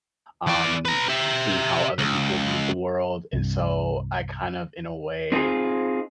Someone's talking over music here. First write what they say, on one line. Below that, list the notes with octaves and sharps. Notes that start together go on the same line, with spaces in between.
um, seeing how other people viewed the world, and so I kind of, in a way,
E3 D5
B4 A#5
G4 E5
C#2
C2 G2
C4 D#4 F4 G#4